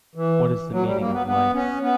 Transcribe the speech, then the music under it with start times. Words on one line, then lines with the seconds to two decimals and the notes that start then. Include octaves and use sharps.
What is the meaning of life?
0.15 E3
0.72 F#3
0.84 G3
0.99 A#3
1.13 B3
1.26 B3
1.54 C#4
1.82 B3